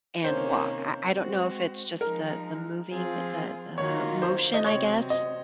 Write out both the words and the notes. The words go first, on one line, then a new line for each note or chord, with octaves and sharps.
and walk, I I don't know if it's just the the moving, the the motion, I guess?
C3 D#3 A#3 C#4 C5
G#3 C4 F#4
F3 G#3 D#4 A#4
F3 C4 F4 G#4
D#3 F#3 A#3 F4 C#5
C5
D#5
C3 F#3 C4 C#5
D#5